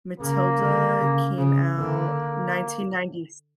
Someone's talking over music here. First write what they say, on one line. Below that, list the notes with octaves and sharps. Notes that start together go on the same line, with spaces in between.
Matilda came out nineteen ninety s
C#3 A#3
D3
C#3
C#3
D3 A#3